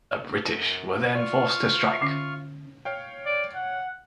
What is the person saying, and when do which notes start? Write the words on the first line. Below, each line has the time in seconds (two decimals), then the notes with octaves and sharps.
The British were then forced to strike.
0.51 F#2
1.14 F4 D5 C#6 F6
1.83 E5
2.01 D3 C#4
2.85 C#5 F5 G5
3.26 D5
3.55 F#5